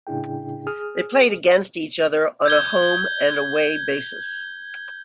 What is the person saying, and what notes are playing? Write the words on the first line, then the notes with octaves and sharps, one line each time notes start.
They played against each other on a home-and-away basis.
A2 C#3 D4 E4 G#4 G5
G#4 D#6 F6
G6 G#6 G7